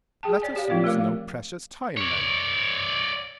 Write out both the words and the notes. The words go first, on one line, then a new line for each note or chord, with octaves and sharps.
Let us lose no precious time, then.
G#4 G5 A5
C#5 D5 G#5
G4 D5 F5
F3 C4 F4 C#5 D5
A3 A#4 F5 D6
C#5 D5